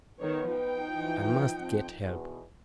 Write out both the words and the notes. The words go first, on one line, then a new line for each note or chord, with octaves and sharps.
"I must get help."
D#3 B3 B4 C#5
F3 D#4 G5
E3
F2 C4
E2 B2